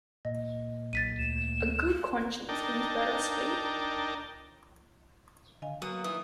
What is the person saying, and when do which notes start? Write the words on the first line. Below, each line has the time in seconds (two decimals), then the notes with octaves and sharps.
A good conscience means better sleep.
0.25 A#2 D#5
0.93 B1 A6 B6 D#7
1.18 D2 E7
2.49 D4 D#4 A#4 G5 A5
5.62 D3 D#5 F5 G#5
5.82 F#3 A#3 B3 F#4 D#6
6.04 A#2 D#3 E3 D#6